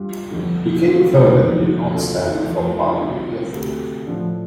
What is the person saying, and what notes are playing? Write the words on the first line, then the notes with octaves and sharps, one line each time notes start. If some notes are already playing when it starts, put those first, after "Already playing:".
He came third and did not stand for parliament again.
Already playing: G2 G3 F4
G1 F2 D3
G2 D3 G3 C4 F4
F1 F2 D3
D2 D3 A3 C4 F4
F1 F2 F3 A3 F4
D2 C3 G3 D4 F4
D2 C3 A3
A2 F3 D4